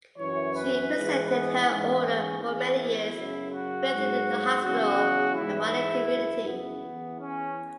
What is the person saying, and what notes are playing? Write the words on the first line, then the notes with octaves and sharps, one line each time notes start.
She represented her order for many years within the hospital and wider community.
F#2 E3 C#5
B4
G#2 E3
B3
G#2 E3 C#4
E2 E3 C#4
E4
F#2 C#3 F#3
F#4
G#2 F#3
E2 C#3 F#3 F#4
G#2 E3 E4
F#2 C#3 E3
B3
E2 E3
C#4